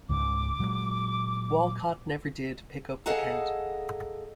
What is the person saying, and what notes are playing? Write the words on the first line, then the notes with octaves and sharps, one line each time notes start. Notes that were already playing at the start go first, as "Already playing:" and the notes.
Walcott never did pick up the count.
C#2 G#2 C#3 D6
A#2 F#3 G#3
G#4 A4 D#5 F5 F#5 A#5